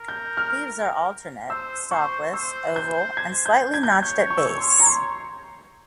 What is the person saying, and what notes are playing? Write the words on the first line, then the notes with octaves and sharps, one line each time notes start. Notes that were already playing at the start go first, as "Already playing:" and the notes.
Leaves are alternate, stalkless, oval, and slightly notched at base.
Already playing: A#4
G6
F6
C5 E6
C5 C#6
C5 E6
G6
G#6
G6
G#6
G6
G#6
C#5 G6
C#6
E6
C#6
C6
A#5
C6